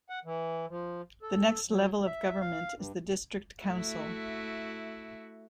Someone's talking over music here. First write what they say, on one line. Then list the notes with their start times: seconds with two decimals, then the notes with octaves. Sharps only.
The next level of government is the district council.
0.10 F#5
0.25 E3
0.69 F3
1.23 A4
1.70 F#3
2.07 E5
2.41 F5
2.78 G2
3.63 A3 E4 F#4